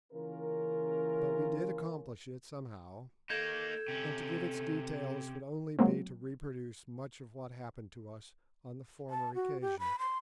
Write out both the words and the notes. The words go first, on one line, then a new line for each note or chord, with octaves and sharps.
But we did accomplish it somehow, and to give its details would only be to reproduce much of what happened to us on the former occasion.
C#3 E3 A#3 C#4 F4 A#4
A#3 D#4 A4 G6 G#6 E7
C3 C#4
F#3 G#3 A#3 C4
A5
F#4
G4
B5
C6